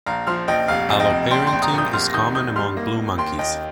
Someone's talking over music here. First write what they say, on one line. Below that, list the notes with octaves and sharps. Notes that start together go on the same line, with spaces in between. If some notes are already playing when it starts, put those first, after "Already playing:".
Alloparenting is common among blue monkeys.
A#1 F5 A#5
F3 C6 F6
A#1 D#5 G5
F1 F5
F2
D#5 G5
F1
A#1 G5 C6
G5 C6
A#1
A#5 D#6
A#2 D#6 G6
F1 C6 F6
A#6
D#3 D#6 G6
F1 D#6 G6
G3 C6 F6
A#3
A#3
D#2 G5 C6
D#2 D#5 G5